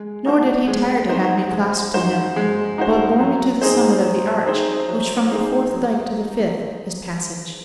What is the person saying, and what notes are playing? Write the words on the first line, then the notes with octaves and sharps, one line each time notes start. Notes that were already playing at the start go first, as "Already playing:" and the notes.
Nor did he tire to have me clasped to him; But bore me to the summit of the arch Which from the fourth dike to the fifth is passage.
Already playing: G#3
D#4 F#4 C5
G#3
D#4 F#4 C5
G#3
D#4 F#4 C5
G#3
D#4 F#4 C5
F#3
C4 D#4 G#4 C5
F#3
C4 D#4 G#4 C5
F#3
C4 D#4 G#4 C5
F#3